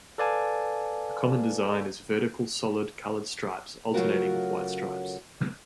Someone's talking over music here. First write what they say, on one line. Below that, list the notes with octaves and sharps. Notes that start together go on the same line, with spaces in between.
A common design is vertical solid colored stripes alternating with white stripes.
A4 B4 D5 F5 G#5 A5
C#3 F#3 A3 F4 F#4 A#4